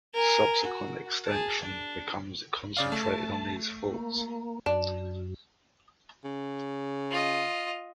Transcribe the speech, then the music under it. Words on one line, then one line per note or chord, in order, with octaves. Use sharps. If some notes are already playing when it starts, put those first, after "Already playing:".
Subsequent extension becomes concentrated on these faults.
A#4 G#5
F#4
G#4 A5
D4
C#3 D5 F5
A3 A5
A#3
F#2 D4 E7
C#3
F4 D#5